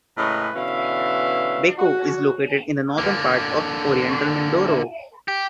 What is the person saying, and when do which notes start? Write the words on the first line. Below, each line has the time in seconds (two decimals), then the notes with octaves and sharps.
Baco is located in the northern part of Oriental Mindoro.
0.17 A2 C#3 G#3 C#4 A#4 B4
0.55 B2 D3 E3 C#4 E5 F5
1.77 F#4
2.98 D3 A#3
5.28 G4